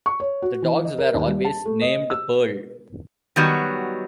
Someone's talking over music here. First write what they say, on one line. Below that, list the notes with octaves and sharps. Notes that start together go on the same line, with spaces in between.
The dogs were always named Pearl.
C#6
C#5
F#4
E3
D#5
A#4
D#2
G3
A5
A3
D#5
E6
D#3 F#3 G3 B3 F#4